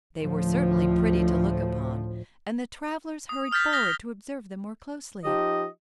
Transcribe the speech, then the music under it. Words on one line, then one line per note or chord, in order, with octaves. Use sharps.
They were certainly pretty to look upon and the travelers hurried forward to observe them more closely.
D2 A2 F3
D#6
D#6 F6 G6 A6 B6
D#6 F6 A#6 B6 G7
F3 D#4 G4 D#5